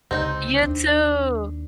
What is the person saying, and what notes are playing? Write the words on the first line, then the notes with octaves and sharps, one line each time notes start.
You too.
C#2 C3 C4 D#4
D#2 D4